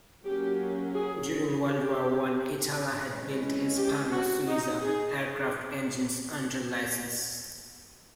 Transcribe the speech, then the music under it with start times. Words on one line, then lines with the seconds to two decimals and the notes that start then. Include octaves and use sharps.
During World War One Itala had built Hispano-Suiza aircraft engines under license.
0.24 F#3 A#3 C#4 G4
0.94 G#4
1.65 G4
3.05 E3 G#3 C#4
3.76 G4
4.11 F#4
4.47 D#4
4.82 G#4